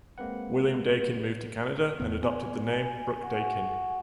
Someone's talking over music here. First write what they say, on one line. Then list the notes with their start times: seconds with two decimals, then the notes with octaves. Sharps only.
William Daykin, moved to Canada, and adopted the name Brooke-Daykin.
0.18 G#3 A#3 C4 B4 F#5
2.00 E2 A2 B3
2.23 B3 G#5
3.23 F#4